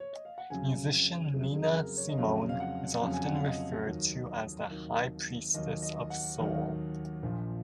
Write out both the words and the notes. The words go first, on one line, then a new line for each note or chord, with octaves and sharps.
Musician Nina Simone is often referred to as the High Priestess of Soul.
C#5
D#5
F5
F#5
F2 C#3 F#3 G#5
F2 C#3 F#3 G#4
G#4
A#4
C#5
D#5
F2 C#3 F#3 F5
F5
F#5
F2 C#3 F#3 F5
G#5
F#5
F5
D#5
D#2 D#3 F#3
D#2 D#3 F#3
D#2 D#3 F#3 D#5
D#5
F#5
D#2 D#3 F#3
A#1 A#2 F3